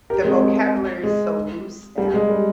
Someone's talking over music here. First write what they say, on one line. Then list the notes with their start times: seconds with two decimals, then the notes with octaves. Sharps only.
the vocabulary is so loose now.
0.10 G4 A#4
0.25 G#3 C4
0.41 G#3 C4
1.04 G#3
1.98 G3
2.14 G#3
2.30 G3